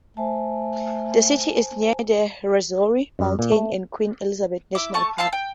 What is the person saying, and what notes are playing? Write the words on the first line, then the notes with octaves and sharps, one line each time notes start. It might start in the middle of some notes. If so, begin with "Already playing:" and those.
The city is near the Rwenzori Mountains and Queen Elizabeth National Park.
A3 C5 G#5 A5
F#2
A#2
A3
E4 E5 D6
A3 A5 C#6
F5 A5 C6 E6
G5